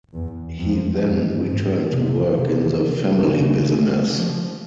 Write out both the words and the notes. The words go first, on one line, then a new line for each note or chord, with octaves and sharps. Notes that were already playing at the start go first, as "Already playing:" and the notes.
He then returned to work in the family business.
E2
F2
G2
G#2
C3
C3
C#3
F3